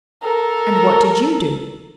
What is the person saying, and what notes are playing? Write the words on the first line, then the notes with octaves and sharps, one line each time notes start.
'And what did you do?'
A4 A#4